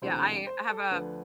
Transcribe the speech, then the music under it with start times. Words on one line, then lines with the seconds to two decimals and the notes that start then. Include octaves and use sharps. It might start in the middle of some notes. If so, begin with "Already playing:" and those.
Yeah, I I have a
0.02 E1 D2 C3 E3 C5
0.47 C5
0.69 A4
0.91 D2 D3 F3 B4